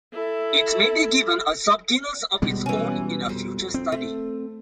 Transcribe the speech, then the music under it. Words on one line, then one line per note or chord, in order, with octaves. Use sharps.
It may be given a subgenus of its own in a future study.
E4 A4
B2 G3 G#3
E3 C#4
F2
C4
A3